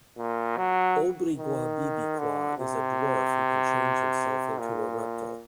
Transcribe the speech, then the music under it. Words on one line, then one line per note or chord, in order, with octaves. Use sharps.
Obrigwabibikwa is a dwarf who can change himself into a reptile.
A#2
F#3
D#3
D3
C3
A#2